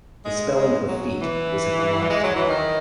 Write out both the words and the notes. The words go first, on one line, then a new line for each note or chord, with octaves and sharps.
The spelling of "feat" was an homage to the Beatles.
G#3
G#3
F#3
E3
G#3
F#3
E3
D#3